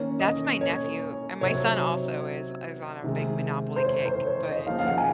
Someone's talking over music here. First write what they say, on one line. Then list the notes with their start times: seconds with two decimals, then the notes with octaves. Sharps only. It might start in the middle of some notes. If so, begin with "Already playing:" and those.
That's my nephew. And my son also is is on a big Monopoly kick, but
Already playing: D#3 A#3 C#4 C#5
0.20 D#5
0.61 C#5
1.41 C3 F#3 C4 D#4 C#5
3.04 C3 D#3 G#3
3.76 C5
3.85 C#5
4.05 C5
4.26 C#5
4.46 D#5
4.67 C#3 F3 A#3 D#4 F5
4.79 F5
4.86 F#5
4.98 G#5